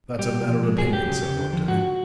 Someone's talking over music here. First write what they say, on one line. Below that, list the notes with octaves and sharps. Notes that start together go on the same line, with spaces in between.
'That's a matter of opinion,' said Loveday.
G3 G4
B2
F3
G#3
F#3 G#4
F#3 G4
C#3
C#3
D3
F3
G#2 F#4